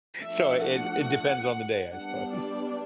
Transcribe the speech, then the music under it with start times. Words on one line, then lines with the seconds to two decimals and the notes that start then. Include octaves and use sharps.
so it it depends on the day, I suppose.
0.22 F3 A3 D4 E5
0.64 F#5
1.90 G3 B3 D4 F#5
2.32 D5